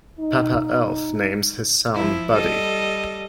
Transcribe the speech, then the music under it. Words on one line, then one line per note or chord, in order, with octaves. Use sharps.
Papa Elf names his son Buddy.
D#4
F3 E4
G3 A4 D#5